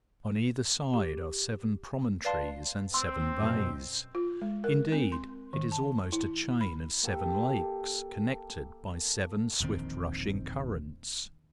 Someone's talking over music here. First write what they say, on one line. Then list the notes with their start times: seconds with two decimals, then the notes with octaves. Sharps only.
On either side are seven promontories and seven bays; indeed, it is almost a chain of seven lakes, connected by seven swift-rushing currents.
0.94 G4
2.25 B4 D5 F5 A5 C6
2.94 C4 C6 E6
3.40 F#2 B2
4.15 F4
4.41 G#3
4.64 A#4
4.92 C4
5.12 C6
5.53 D#3
5.72 A5
6.12 E4
6.61 B5
7.03 A#3 G4 A4
9.60 E1 A#1 D#3 C4